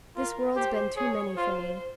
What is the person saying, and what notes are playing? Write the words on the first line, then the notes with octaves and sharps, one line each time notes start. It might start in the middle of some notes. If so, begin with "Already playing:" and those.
This world's been too many for me.
F4 A#4
G4 C5
G#4 C#5
F4 C5